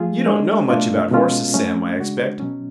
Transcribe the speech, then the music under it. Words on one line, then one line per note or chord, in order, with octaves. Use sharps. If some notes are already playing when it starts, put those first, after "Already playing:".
You don't know much about horses, Sam, I expect.
Already playing: F3 A3 F4 G#4
G#3 D4 G#4
B2 A3 D4 F4
B2 G#3 C#4 F4 A4
F#3 A3 C#4
C#3 G#3 D4 F#4
B2 F#3 C#4